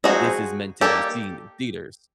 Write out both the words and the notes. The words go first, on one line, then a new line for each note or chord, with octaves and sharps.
"This is meant to be seen in theaters."
F3 G#3 C4 D#4 F#4 G#4
D#3 G3 A#3 G4 A4